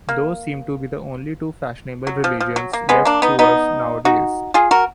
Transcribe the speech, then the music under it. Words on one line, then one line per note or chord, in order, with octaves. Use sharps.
Those seem to be the only two fashionable religions left to us nowadays.
A#3
F#3
F3
F3
F#3
A#3
G#3 B3
A#3 D4
B3 D#4
B3 D#4
D#4 F#4
F4 G#4
F#4 A#4